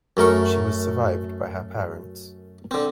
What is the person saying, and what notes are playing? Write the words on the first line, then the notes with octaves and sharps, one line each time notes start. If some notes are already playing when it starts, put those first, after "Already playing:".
She was survived by her parents.
F#2 A3 A#4 C#6
D3 C4